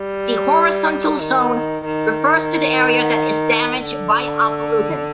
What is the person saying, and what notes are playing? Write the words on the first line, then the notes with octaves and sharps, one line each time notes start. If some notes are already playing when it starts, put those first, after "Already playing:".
The horizontal zone refers to the area that is damaged by a pollutant.
Already playing: G3
D#3
D#3
D3